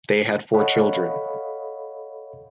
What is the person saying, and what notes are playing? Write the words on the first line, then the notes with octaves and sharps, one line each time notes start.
They had four children.
A4 C#5 D#5 F5 F#5 B5